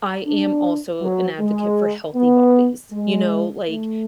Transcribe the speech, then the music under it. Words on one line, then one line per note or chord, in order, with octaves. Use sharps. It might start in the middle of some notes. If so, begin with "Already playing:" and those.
I am also an advocate for healthy bodies, you know? Like,
D4
F#3
G#3
B3
G#3
A3